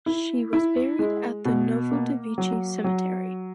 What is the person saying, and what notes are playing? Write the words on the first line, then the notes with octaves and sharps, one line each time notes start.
She was buried at the Novodevichy Cemetery.
E4
E4
G#3
B2
A#3
F#3
F#3